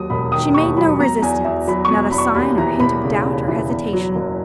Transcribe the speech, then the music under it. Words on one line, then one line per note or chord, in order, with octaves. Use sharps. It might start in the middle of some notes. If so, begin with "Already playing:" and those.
She made no resistance, not a sign or hint of doubt or hesitation.
Already playing: D#2 F#3 D#6
E1 B5
D#3 D#6
D#2 C#6
F#3 B5
B2 A#5
E2 G#5
E2 E5
F#3 B5
C#6
B2
E2 B5
C#6
D#2 B5
E3 A#5
E1 B5
C#3
D#2
E3
E2
F#3
F#1